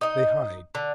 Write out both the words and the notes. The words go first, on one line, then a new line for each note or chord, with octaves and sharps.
They hide.
D#4 D#5
D3